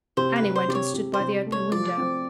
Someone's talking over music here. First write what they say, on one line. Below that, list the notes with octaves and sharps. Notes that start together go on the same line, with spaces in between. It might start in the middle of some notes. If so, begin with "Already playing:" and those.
Annie went and stood by the open window.
C3 C5
B4
C3
C5
C3 D5
C#5
C3
C5
C3
A3
C#5
F3 D5
C4